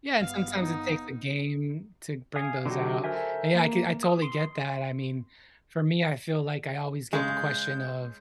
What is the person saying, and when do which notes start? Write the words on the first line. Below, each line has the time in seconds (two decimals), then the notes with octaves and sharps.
Yeah, and sometimes it takes a game to bring those out. And yeah I c I totally get that, I mean, for me, I feel like I always get the question of,
0.21 G1 B3 F5
0.59 D#4
2.36 F5 G#5 D#6
2.66 D3 F#3 D#4 F#4 G4
3.04 A4 A#4 C5 E5 G#5
3.55 A#3
4.03 D#6
4.22 C6
7.13 C#3 G#3 G6